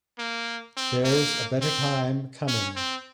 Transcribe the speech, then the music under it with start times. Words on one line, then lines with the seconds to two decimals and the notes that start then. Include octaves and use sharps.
There's a better time coming.
0.19 A#3
0.77 C4
1.04 A#3
1.62 C4
2.48 C#4
2.76 C4